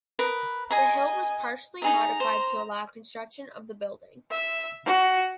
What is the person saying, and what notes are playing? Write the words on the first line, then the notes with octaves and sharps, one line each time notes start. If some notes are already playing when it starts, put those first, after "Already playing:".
The hill was partially modified to allow construction of the building.
A#4 B4 D#6
G#4 D#5 G#5 A#5
D#4 G#4 D#5 A#5
C5
E5
F#4